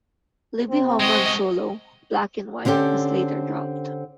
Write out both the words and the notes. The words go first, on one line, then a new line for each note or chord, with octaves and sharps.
Libby Holman's solo, "Black and White" was later dropped.
C3 C4
G#3 F#4 D#5
D3 C4 C#4 G4 A4